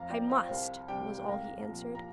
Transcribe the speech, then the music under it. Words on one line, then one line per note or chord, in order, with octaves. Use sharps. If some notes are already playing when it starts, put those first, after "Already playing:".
'I must,' was all he answered.
Already playing: F2 F5 A#5
F3 D5 G5
C5 F5
C2 C5 F5
C3 G3 D5 G5
C2 F5 A#5
A#2 F3
A#5